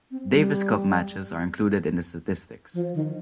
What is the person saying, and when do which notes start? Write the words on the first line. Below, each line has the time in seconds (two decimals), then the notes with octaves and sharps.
Davis Cup matches are included in the statistics.
0.11 C4
0.31 G3
2.74 F3
2.94 D#3